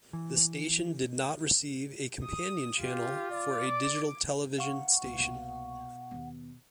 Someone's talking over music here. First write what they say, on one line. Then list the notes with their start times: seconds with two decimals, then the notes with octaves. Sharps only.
The station did not receive a companion channel for a digital television station.
0.13 E3
2.22 D#6
2.80 F4 G4
3.31 D5
3.69 D6
4.58 F5 F#5 C#6
5.04 C2 B2 A#3
6.11 D#2 B3